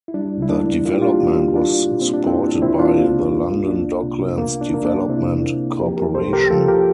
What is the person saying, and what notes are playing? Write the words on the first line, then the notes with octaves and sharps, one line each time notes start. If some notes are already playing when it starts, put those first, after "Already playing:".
The development was supported by the London Docklands Development Corporation.
E4
G3 D4
E4
A#3 D4
A#3 F4
G4
D4 F4
A#2
A#3 D4 F4
A#2
C4
D4
A#2 C4 E4
D4
A#2 C4 E4
D4 F4
C2
A#3
C2 D4
C3
A#3
D4
A#3
D4
C3 C4 E4
A#3
F3 G4 A#4
G4 A#4
C2 A4 C5
G4 A#4
F3 F4 A4
G4 A#4